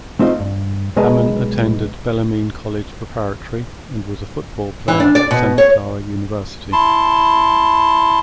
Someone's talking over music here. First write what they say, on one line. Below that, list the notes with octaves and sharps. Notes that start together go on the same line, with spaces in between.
Hamann attended Bellarmine College Preparatory and was a football player at Santa Clara University.
A3 C4 D#4 F4 D#5
G2
B1 G#3 A#4 B4 D#5 A5
E3
D4
D5
B2
C#5
E4 A5 C6